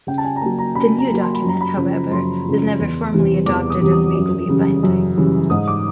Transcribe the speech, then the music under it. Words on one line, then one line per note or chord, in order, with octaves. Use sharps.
The new document, however, was never formally adopted as legally binding.
C#3 G5
A5
G#5
A#5
F#3 A#3 A5
A#5
C#3 B5
A#5
F#3 A#3
C6
B5
F#2 A#5
B5
C#3 F3
F#2 C6
C#3 F3
E2
C3 E3 G3
E2 D6
D#6
C3 E3 G3
D#6
F#2
C#3 E3 G3
F#2
C#3 E3 G3
G#2 D#6
D6